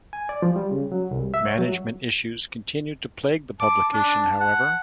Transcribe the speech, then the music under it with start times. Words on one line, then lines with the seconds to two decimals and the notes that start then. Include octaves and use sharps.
Management issues continued to plague the publication, however.
0.13 G#5
0.29 D5
0.42 F3
0.56 G3
0.71 C#3
0.92 F#3
1.11 C2
1.34 E5
1.46 C#5
1.59 F#3
3.60 A5 D6
3.93 D4
4.40 F#5